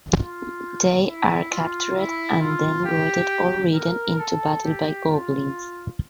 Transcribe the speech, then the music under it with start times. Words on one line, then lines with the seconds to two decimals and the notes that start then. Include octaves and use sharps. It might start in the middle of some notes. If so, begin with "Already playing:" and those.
They are captured and then goaded or ridden into battle by goblins.
0.17 F4
1.06 E4
1.51 F4
1.96 E4
2.40 F4
2.85 G4
3.74 A#4
4.18 A4
4.63 G4
5.08 F4